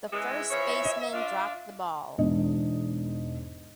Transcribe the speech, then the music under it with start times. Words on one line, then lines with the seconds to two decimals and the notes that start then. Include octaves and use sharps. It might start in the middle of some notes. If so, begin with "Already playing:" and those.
The first baseman dropped the ball.
0.12 C#3 E3 G#3 E5
0.51 E3 F3 C#5
1.13 D4 F4
2.18 E1 E2 G#2 D4 D#5